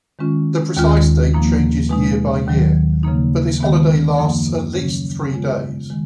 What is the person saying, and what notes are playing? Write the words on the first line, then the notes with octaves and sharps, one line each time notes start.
The precise date changes year-by-year but this holiday lasts, at least, three days.
D#3 G#3 C#4 F4
D#2 D#3 G#3 C#4 F4
A#2 F3 A#3 D#4
B2 G#3 D#4
D#2 D#3 F#3
C#3 F3 A#3 D#4
D#3 G#3 B3
F#2 F3 A#3 D#4
C#3 F#3 C#4
C#3 G#3 B3 F4
D#3 G#3